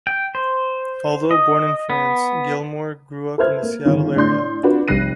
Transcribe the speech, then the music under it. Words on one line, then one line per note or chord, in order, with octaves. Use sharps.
Although born in France, Gilmore grew up in the Seattle area.
G5
C5
D#5
B3
A4 B4 C5 E5 F6 G#6
A#3
G1 D#3
A2 D4 D5 C6 G6
D4 F4 F#4 B4
F1 G3 F#6 A#6 C7 D#7